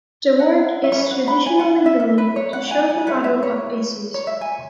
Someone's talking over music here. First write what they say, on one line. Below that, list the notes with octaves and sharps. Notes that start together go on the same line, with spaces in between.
The work is traditionally believed to show the Battle of Issus.
F#5
E5
C#4 G#4 B4 C#5
F#5
B5
G#5
F#5
E5
E5
B4
C#5
F#5
G#5
G#5
E4 G#4 B4 F#5
E5
C#5
C#5
E5
G#5